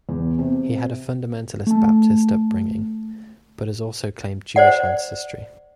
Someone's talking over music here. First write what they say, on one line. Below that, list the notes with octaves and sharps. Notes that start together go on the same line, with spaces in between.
He had a fundamentalist Baptist upbringing, but has also claimed Jewish ancestry.
E2
C3
A3 A5
C5 D5 F#5